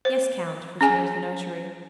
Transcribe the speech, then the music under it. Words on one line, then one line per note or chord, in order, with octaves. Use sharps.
"Yes, count," returned the notary.
C5
C#4 G#4 G#5